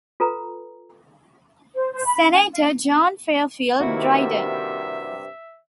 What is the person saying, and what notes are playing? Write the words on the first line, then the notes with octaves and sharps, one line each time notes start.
Senator John Fairfield Dryden.
F4 A4 B4 A#5
C5
C5
B5
G#5
F5
G2 C3 D#3 A#3 E4 F#4 E5